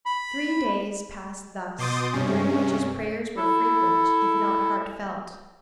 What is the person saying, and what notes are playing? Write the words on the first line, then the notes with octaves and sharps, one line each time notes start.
Three days passed thus, during which his prayers were frequent, if not heartfelt.
B5
B2 C6 D6 D#6 G6 A6
G2 C3 C#4
E4 A4